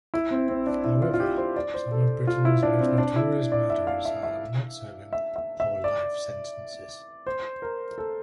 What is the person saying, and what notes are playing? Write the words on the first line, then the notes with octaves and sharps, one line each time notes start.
However, some of Britain's most notorious murderers are not serving whole-life sentences.
E4
C4
C4
D4
E4
F4
F4
G4
C5
D5
C5
A4
F4
E4
D4
C4
D4
E4
D5
E5
F5
E5
E5
E5
E5
E5
D5
C5
A#4
A4